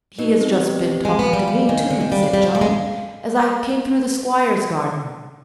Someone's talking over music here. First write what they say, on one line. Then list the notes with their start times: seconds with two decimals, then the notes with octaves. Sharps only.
"He has just been talking to me, too," said John, "as I came through the squire's garden."
0.18 B2 D#4
0.41 C4
0.61 G4
0.83 C4
1.05 G#3 G#5
1.19 B3
1.26 F5
1.33 G3
1.47 G3 F5
1.69 D#3 G#5
1.90 D3 C4
2.01 D#3
2.11 G3 F5
2.23 D4
2.33 G3 D5
2.43 F3
2.55 G3 F5
2.61 G#3